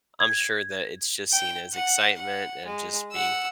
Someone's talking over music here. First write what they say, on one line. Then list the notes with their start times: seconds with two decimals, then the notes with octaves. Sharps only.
I'm sure that it's just seen as excitement and just being
0.20 G#6
1.32 G5
1.73 F#5
2.17 F#5
2.65 G#3
3.12 F#5 E6